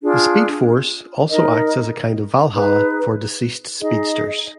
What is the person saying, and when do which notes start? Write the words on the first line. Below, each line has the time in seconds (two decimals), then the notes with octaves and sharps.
The Speed Force also acts as a kind of Valhalla for deceased speedsters.
0.03 D4 F4 G#4
1.28 D#4 A#4 D#5
2.55 D#4 G#4 B4
3.81 D#4 G#4 D#5